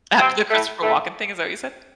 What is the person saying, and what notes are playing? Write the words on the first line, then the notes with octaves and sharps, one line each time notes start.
Uh, the Christopher Walken thing, is that what you said?
C3 C4
A2 A3
A2 A3